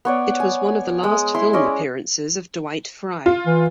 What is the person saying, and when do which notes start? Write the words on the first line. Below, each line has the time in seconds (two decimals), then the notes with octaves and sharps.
It was one of the last film appearances of Dwight Frye.
0.05 B3 C#5 D5
0.40 G#5
1.03 G#3 D#6
1.34 E4 C6
1.53 G#3 C#4 D5 D#5
3.26 F4
3.47 E3